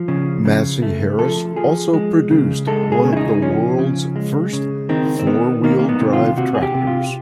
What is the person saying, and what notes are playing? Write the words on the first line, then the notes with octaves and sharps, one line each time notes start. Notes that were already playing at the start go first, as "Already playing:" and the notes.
Massey Harris also produced one of the world's first four-wheel drive tractors.
Already playing: F3
C#3
C#3
A3
F3 A4
F3 G#4
G#3
C#3
G#3 A4
G#4
C#3
E4
D#4
F3 C#4
C#3
G#3
C#3
D#3 C4
C4
D#3 B3
D#3 A#3
A#3
B3
C3
F4
C3 F#4
G#4
G4
C3
F4